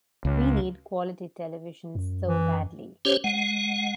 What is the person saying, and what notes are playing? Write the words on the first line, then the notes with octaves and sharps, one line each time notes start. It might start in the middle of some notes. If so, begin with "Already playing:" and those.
We need quality television so badly.
C#2
F#2
E3
C#4 G4 C5 C#5
G#3 F#5